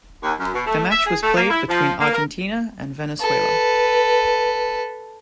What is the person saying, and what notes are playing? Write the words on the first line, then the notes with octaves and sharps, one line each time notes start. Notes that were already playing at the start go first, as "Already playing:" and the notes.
The match was played between Argentina and Venezuela.
D#2
F#2
B2
A3
E5
G#4
A3
A#3
E4
F3
A#3
A#4
A4 B4